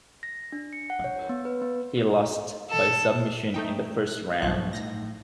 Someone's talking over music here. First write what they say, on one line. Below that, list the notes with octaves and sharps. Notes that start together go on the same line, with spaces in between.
He lost by submission in the first round.
A#6
D4
C#7
F#5
C#5
B3
B4
B3
A4
A3 D#4 G5
F#6
B1 G2 F3 F#3 F#6
A2 D#4 A#6